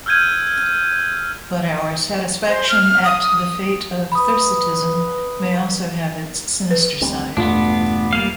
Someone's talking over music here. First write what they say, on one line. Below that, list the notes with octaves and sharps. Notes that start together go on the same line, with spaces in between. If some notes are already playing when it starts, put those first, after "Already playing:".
But our satisfaction at the fate of Thersitism may also have its sinister side.
E6 F6 G6 G#6 D#7
C5
F6
D#6
B4 B5 D#6
B4
D2 G3 C4
E2 G2 B2 A3 B3 D4 F4
G3 A#3 F5